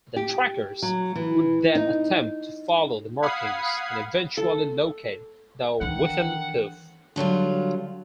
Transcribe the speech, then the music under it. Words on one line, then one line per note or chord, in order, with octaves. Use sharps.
The trackers would then attempt to follow the markings, and eventually locate the Whiffenpoof.
G4
F#3
E3
D#4
F5 F#5 B5 D#6 G#6 C7
A4
D#3 E3 D4 F#5
D3 F#3 G3 F4